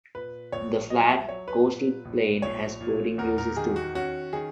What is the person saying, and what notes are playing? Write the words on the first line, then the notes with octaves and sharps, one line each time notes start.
The flat coastal plain had sporting uses too.
A#2 B4
A#1 C#5
F#3 D#5
E5
F#3 C#5
B4
A#2
A#1
A#1 C#5
A#2
E2 A#4
A#4
D#3 G#4
F#4
C#4 F#4
D#3 G#4